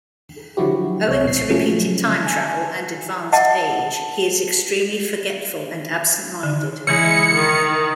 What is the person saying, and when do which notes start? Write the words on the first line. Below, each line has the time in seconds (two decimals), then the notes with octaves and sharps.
Owing to repeated time travel and advanced age, he is extremely forgetful and absent-minded.
0.57 D3 F3 F#3 E4 F#4 G4
1.07 C#2 C#5
1.25 A#1 C7
1.50 C#3 F3 F#3 A3 A#3 C#4
2.23 G#5 A5
3.33 D#5 F#5 A5
6.43 D3
6.87 C#3 E3 G#3 E4 C#7
7.34 D#3